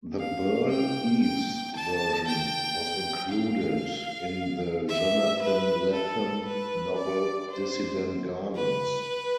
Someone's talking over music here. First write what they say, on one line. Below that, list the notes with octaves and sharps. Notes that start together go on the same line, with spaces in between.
The Burl Ives version was included in the Jonathan Lethem novel "Dissident Gardens".
F5
G5
G5
A5
G5
F5
E5
B4
A4
B4
D5
C5
B4